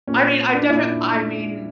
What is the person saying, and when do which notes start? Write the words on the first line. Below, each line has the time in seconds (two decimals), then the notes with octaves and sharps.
I mean, I def I mean,
0.07 A#2 C#4
0.55 D4
0.70 A#2 E4